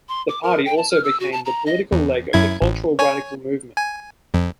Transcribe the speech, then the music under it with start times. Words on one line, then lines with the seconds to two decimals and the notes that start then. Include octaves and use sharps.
The party also became the political leg of the cultural radical movement.
0.09 C6
0.29 D6
0.43 A#4
0.65 G5
0.77 A5
0.91 F6
1.04 E6
1.20 F#4
1.32 A5
1.45 A#5
1.66 D#5
1.92 E2
2.33 F#2 E4 G#6
2.62 A1
2.99 C#5 G#5
3.76 G#5
4.34 F2